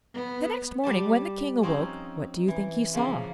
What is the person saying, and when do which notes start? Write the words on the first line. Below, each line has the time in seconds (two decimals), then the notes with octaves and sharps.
The next morning, when the King awoke, what do you think he saw?
0.14 B3
0.83 G3 G4 A5
1.62 F3 C4 C#4 D#4
2.48 E3
2.94 C#3 F3 A#3